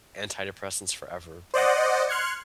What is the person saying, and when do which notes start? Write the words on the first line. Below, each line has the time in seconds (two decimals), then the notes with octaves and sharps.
antidepressants forever, but,
1.54 C5 D5 D#5 F#5
2.09 C6 F6 F#6 G#6 C#7